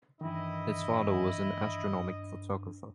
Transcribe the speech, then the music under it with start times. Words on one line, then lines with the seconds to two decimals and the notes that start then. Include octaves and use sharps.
His father was an astronomic photographer.
0.21 G2 D#3 E3 E4 D#5